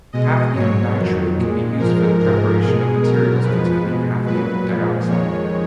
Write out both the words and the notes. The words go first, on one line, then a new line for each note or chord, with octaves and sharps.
Hafnium nitrate can be used for the preparation of materials containing hafnium dioxide.
B2 G#3 D#5
G#2 F#3 C#5
F2 D#3 F#3
A#2 G#3
G#2 F3 G#3 A#4
G#2 F3 G#3 A#4
B2 G#3 G#4
B2 F#3 A#4
F2 F3 G#3 B4
B2 G#3
A#2 F#3 B4
A#2 F3 G#3
F2 D#3 G#3 C#5